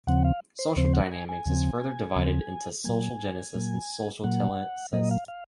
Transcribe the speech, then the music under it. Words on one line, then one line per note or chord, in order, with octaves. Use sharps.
Social dynamics is further divided into social genesis and social telesis.
D#2 C#3 F3 C4 F#5
F5
C5
D#2 C#3 F3 C4 C5
F#5
G#5
G#5
D#2 C#3 F3 C4
D#2 C#3 F3 C4
A#2 F#3 A#3 G#5
A#2 F#3 A#3
A#2 F#3 A#3 F#5
A#2 F#3 A#3 D#5
F5
F5